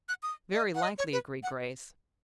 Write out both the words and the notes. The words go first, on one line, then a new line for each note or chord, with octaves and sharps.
"Very likely," agreed Grace.
F#6
D#6
D#5
F#5
D#5
C#5
B4
F#5